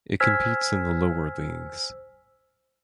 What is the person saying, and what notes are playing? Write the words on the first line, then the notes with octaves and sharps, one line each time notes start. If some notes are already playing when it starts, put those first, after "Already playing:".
It competes in the lower leagues.
C5 G#5 E6 F6 G#6 B6